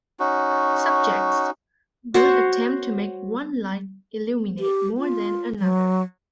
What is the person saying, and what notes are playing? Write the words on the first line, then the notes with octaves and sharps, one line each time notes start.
Subjects would attempt to make one light illuminate more than another.
C#4 D#4 F#4
F#4 C5 C#5
G4
F4
F#3